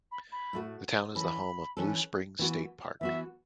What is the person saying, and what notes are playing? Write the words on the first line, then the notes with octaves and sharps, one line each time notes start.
The town is the home of Blue Springs State Park.
B5
B5
A2 A3 F#4
E3 C#4 A4 B5
E3 C#4 A4
E3 B3 F#4
E3 B3 F#4 E5